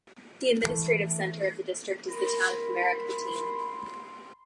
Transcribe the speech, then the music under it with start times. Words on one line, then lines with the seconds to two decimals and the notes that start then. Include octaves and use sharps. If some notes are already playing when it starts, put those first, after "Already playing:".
The administrative centre of the district is the town of Merak Batin.
0.64 E3 A3
2.09 A#4 B5 C6